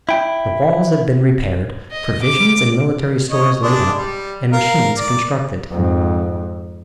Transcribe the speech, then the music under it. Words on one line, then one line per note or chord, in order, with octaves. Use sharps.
The walls had been repaired, provisions and military stores laid up, and machines constructed.
E4 G5
D#5
D6
C#5 D#5
G#3 D4
G3
A#4 F5
D5 D6
F2 G#2